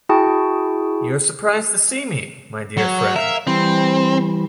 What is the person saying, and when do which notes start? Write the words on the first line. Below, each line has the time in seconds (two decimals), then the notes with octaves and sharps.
You're surprised to see me, my dear friend.
0.09 E4 F#4 G#4 G5 A5 C#6
2.78 F#3
3.16 A#4 E5 F5
3.47 E3 G3 C4